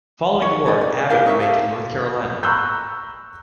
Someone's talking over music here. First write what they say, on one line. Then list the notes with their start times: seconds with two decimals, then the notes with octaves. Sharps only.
Following the war, Abbott remained in North Carolina.
0.42 C#5
0.66 G#4 D5 D#5
0.81 D5
1.10 E4 G4 A#4 F5
1.26 D#4 C#5 E5
1.40 G4 A4 E5 F5
2.43 A#5 B5 C#6 E6 F#6 G6